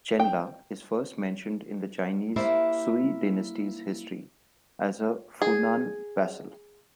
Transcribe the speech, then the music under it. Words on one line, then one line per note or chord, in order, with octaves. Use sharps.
Chenla is first mentioned in the Chinese Sui dynasty's history as a Funan vassal.
G5
A#3 E4 G4 C5 D5 E5
G#4